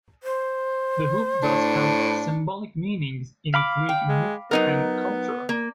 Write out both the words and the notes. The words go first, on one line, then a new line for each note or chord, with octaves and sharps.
The hoop thus held symbolic meanings in Greek myth and culture.
C5
A2 D4
F5 B5 D6
G5
G#3
F#3 B3 D#4 A#4
A#3